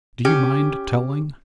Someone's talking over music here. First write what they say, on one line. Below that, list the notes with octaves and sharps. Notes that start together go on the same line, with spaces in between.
Do you mind telling?
C#4 G4